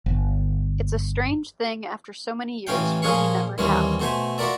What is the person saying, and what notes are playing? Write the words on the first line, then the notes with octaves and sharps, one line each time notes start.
It's a strange thing after so many years but we never have.
G1
A1 E3 C#4 F5 G5
A#2 F3 C#4 G#4 F5 C#6
D#2 E3 G3 C4 C#4
B2 A3 C5 E5 G#5
F4 F#4 A#4 D5 E5